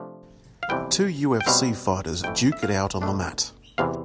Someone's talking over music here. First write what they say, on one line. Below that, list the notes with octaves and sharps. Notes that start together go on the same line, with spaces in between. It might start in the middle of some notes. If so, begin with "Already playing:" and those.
Two UFC fighters duke it out on the mat.
Already playing: C3 F3 A3 D4
F5
F2 C3 E3 G3 B3 G5
G5
B2 G3 C4 F5
F2 E3 A3 G5
E5
F5
B2 A3 D4
E2 C3 E3 F5